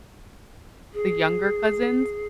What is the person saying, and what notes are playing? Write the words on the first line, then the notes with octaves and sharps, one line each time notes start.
the younger cousins
G#4